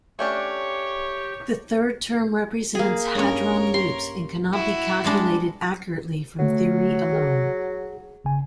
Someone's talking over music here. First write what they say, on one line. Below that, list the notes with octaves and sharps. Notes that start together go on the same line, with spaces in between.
The third term represents hadron loops, and cannot be calculated accurately from theory alone.
A3 C#4 D4 G4 C#5 G5
A#3 G#4
G2 C#4 A#4 C#5
C6
E4 F#4
G3 G#3 D4
D3 F#3 A3
G#4
G1 C#3 G#5